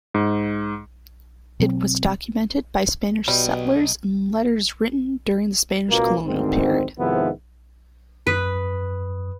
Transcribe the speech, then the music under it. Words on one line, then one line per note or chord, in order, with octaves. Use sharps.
It was documented by Spanish settlers in letters written during the Spanish Colonial period.
G#2
B2 F#3 C4
B1 B2 G3 D#5
C#2 B2 A#3
D2 G#2 D#3 C4
G#2 C3 D#3 F3 B3 E4
F#2 B4 D#6